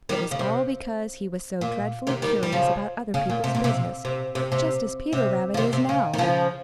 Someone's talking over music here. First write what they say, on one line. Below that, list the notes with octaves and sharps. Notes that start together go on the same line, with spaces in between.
It was all because he was so dreadfully curious about other people's business, just as Peter Rabbit is now.
D#3 G3
C#3
C3
A#2
C3 D#3
D#3 G3
G3
C#3 F3
C#3
A#2
C3
A#2
C3
C3
C3
C3
C3
F3
C3 D#3
C3
C#3
D#3
C#3 F3